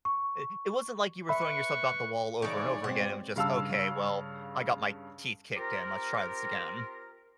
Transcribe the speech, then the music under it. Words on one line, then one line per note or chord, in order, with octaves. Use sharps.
I It wasn't like you were throwing yourself out the wall over and over again. It was just, "Okay well, I got my teeth kicked in let's try this again."
C#6
B4 E5 B5 C#6
C#3 E3 A3 D#4 C#5 D5 C#6 D6
B2 G#3 C4 F#4 F#5
G2 C#3 F5 A5 E6
C4 F4 G4 A#4